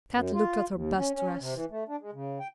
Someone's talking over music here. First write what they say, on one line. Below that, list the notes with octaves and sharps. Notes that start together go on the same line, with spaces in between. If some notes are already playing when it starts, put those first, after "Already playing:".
Kat looked at her best dress.
F#2
F4
D#2
C#4
C#4
C3
E3
A3
D4
G#3
C#3
G5